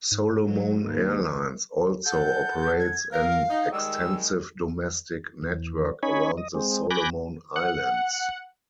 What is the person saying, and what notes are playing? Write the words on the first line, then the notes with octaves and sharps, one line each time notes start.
Solomon Airlines also operates an extensive domestic network around the Solomon Islands.
G#2
F#3
D#2
A4 F#5 G6
G#6
A#4 F5
D#4
D#3 G3 G#3 E6
E2
C#4 D#4 C#5 G#5 B5
D#5
G#3 C4
G#5 B5 D6 F#6 G6 A#6
F#5